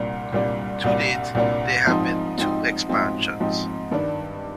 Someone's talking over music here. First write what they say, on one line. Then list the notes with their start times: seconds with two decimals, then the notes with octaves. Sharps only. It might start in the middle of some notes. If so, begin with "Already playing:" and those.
To date, there have been two expansions.
Already playing: C2 A#2 G3 D4
0.33 C2 A#2 G3 D4
0.84 C2 A#2 G3 D4
1.35 C2 A#2 G3 D4
1.87 G#2 F3 C4 D#4
2.38 G#2 F3 C4 D#4
2.89 G#2 F3 C4 D#4
3.40 G#2 F3 C4 D#4
3.91 G2 D#3 G3 D4